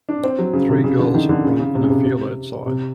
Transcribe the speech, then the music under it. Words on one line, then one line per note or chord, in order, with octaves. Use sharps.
Three girls run in a field outside.
D4
C4
F#3
C#3
C3
C#3
D3
D#3
D3
C#3
C#3
C3
C#3
C3
C3
C3